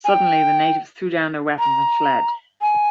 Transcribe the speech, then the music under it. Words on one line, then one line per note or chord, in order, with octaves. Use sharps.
Suddenly, the natives threw down their weapons and fled.
G#5
G5
A#5
G#5